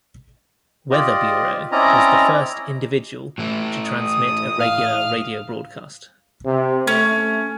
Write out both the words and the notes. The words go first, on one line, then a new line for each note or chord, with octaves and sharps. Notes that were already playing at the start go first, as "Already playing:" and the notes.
Weather Bureau was the first individual to transmit a regular radio broadcast.
F4 G4 D5 D#5
C4 C#4 E4 D5 D#5 A#5
A2 E3 A3
D#6
F5
C3
A3 C#4